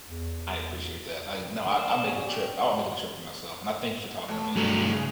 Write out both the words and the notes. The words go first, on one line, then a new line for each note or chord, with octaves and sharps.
I appreciate that. Like, no, I I'm making a trip, I'll make it a trip for myself, and I thank you for talking to me.
E2
A3 A#3 D4 F5 D#6
E7
C#4 G#4
G4 G5
A3 C#5
G2 F#3 A3 D4
C#3